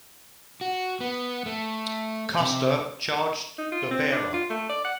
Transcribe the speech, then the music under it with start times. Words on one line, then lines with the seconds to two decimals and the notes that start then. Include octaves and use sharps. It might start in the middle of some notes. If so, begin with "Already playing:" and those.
Custer charged the bearer.
0.61 F#4
1.00 B3
1.46 A3
2.40 C3
3.58 D#4
3.72 F4
3.91 C4
4.12 D4
4.34 F4
4.50 A3
4.69 D5
4.85 F#5